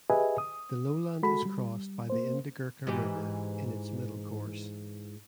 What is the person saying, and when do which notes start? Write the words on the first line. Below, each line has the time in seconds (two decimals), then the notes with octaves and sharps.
The lowland is crossed by the Indigirka River in its middle course.
0.10 G4 G#4 B4 D#5 E5 G#5
0.38 D#6
1.23 G#3 F#4 A4 B5
1.45 G3
2.10 A#3 C5
2.87 G#2 E3 G4